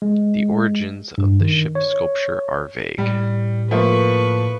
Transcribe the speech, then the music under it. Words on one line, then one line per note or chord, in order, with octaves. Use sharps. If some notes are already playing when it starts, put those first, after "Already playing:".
The origins of the ship sculpture are vague.
G#3
G2
D#3
C#5
A2 G3
F3 A3 A#3 B4 C#6